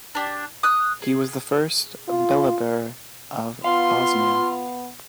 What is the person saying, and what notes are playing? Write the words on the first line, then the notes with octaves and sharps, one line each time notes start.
He was the first beylerbey of Bosnia.
D4 G4
D#6 F#6
G#4
F4
B3 F4 F5 C6